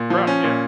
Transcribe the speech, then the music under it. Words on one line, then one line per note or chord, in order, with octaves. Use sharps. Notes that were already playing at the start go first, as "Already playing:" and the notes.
Right, yeah.
Already playing: A#2
F3
C#4
A#2